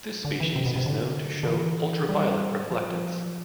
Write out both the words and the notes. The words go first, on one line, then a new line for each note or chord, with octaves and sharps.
This species is known to show ultraviolet reflectance.
D3
E3
C3
B2
C3
D3
D3
E3
G3
F3